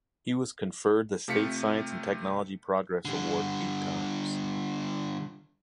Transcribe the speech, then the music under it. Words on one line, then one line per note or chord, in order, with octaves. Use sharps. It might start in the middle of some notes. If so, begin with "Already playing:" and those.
He was conferred the State Science and Technology Progress Award eight times.
C3 A3 F4 B6 C#7
D3 G3